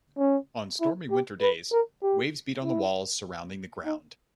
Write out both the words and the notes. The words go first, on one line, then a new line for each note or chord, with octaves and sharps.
On stormy winter days, waves beat on the walls surrounding the ground.
C#4
E4
G4
B4
A#4
G4
E4
D#4